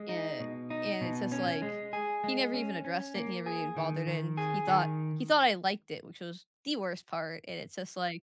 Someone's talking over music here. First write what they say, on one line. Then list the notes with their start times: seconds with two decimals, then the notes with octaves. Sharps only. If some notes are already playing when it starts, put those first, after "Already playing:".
eh, and it's just, like, he never even addressed it, he never even bothered, and he thought he thought I liked it, which was the worst part, and it's just like
Already playing: G#3
0.09 D#4
0.40 B2
0.70 D#4
1.01 B2
1.32 C#4
1.62 G#3
1.93 G#4
2.24 G#3
2.54 C#4
2.85 C#4
3.15 A#3
3.46 G#4
3.77 D#3
4.07 D#3
4.37 G#4
4.68 D#3